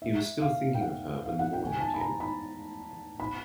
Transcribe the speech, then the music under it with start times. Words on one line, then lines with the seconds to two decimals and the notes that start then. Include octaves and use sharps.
He was still thinking of her when the morning came.
0.02 E5
0.42 F5
0.74 G5
0.81 F#5
1.26 F5
1.39 F#5
1.53 G5
1.67 G#5
1.80 A5
1.94 B5
2.00 A#5
2.20 B5
3.20 B5